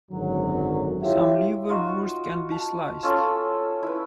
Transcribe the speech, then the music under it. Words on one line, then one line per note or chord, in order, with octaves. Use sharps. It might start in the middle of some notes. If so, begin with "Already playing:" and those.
Some liverwursts can be sliced.
G#1 F#2 D3 F#3
E4 F4 G4 C#5 E5
D#4 F4 F#4
A5
C#4 F4 A4
E4 B4